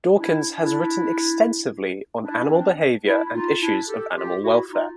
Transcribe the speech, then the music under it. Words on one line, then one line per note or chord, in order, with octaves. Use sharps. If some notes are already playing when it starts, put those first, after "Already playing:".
Dawkins has written extensively on animal behaviour and issues of animal welfare.
D4 E4
D4 E4
D4 E4
C#4
C4 D4
D4 E4
E4
D#4 F4
D4 E4
G4 A4
F4 G4
E4 F#4
D#4 F4